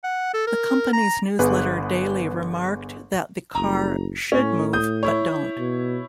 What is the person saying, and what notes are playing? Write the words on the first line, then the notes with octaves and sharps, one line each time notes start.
The company's newsletter daily remarked that the car "should move, but don't".
F#5
A4
A#4
A#5
G1 B3 G#4 B4 F#6
F#1 A#5
A2 C#4
D#6 G6
E4 C#5
B2